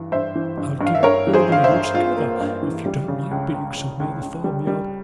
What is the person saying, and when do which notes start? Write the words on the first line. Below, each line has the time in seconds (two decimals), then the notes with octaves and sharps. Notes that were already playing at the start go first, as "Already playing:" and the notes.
I'll give up Oileymead altogether, if you don't like being so near the farm-yard.
Already playing: G2 E3
0.12 G2 C5 E5
0.35 E3
0.58 G2
0.81 G2
0.86 F5
0.95 E5
1.03 G2 A#4 C#5
1.27 E3
1.33 G#4 C5
1.49 G2 F5
1.64 C5 E5
1.72 G2
1.95 G2 F4
2.17 A#3
2.40 G2
2.63 E3
2.86 G3
3.08 C#3
3.31 C#2
3.54 C#2
3.76 C#2
4.00 C#2
4.21 C#2
4.44 G3
4.67 G3